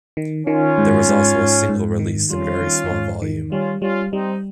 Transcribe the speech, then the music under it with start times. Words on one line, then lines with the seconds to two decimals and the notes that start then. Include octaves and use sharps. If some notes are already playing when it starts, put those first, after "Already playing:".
There was also a single released in very small volume.
0.17 D#3
0.47 D#3 C#4 F4
0.78 G#2
1.09 G#2
1.39 G#2
1.69 G#2
1.99 D#3
2.30 G3 C#4 F4
2.61 D#3
2.91 G#2
3.22 D#3
3.51 G3 C#4 F4
3.82 G3 C#4 F4
4.13 G3 C4 D#4